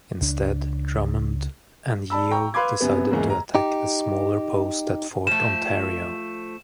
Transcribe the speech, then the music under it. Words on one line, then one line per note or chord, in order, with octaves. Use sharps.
Instead, Drummond and Yeo decided to attack the smaller post at Fort Ontario.
C#2 D4
D5 A5 B5 E6
G5 A#5 C#6
B4 F5 B5 C6 D6 G#6
F#2 C3 B3
E2 G#2 C#3 G#3 A#3
A#5
D#4 G4
F3 A3 E7